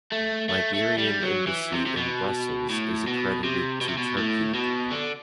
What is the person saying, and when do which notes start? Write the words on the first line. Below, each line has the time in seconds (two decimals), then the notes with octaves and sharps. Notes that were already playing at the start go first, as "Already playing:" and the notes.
Liberian Embassy in Brussels is accredited to Turkey.
0.12 A3
0.49 A3
0.74 A3
0.98 G3
1.23 F#3
1.47 E3
1.72 C3
1.86 C3
1.97 B2
2.70 A2
3.07 B2
3.44 C3
3.81 B2
3.89 C3
3.98 B2
4.18 A2
4.54 B2
4.91 D3